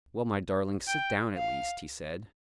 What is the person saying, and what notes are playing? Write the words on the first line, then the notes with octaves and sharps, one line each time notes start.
"Well, my darling, sit down, at least," he said.
G5
F5